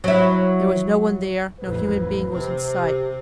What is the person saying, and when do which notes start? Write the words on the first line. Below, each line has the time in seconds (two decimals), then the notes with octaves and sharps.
There was no one there; no human being was in sight.
0.04 F#3 E4
1.60 A1 F2 B4
2.32 C3 C4
2.78 G4